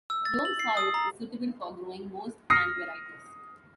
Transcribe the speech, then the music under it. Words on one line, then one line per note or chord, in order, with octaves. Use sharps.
Loam soil is suitable for growing most plant varieties.
E6
A6
F#7
C7
D#6
A#5
D#6 F6 A#6 C7 C#7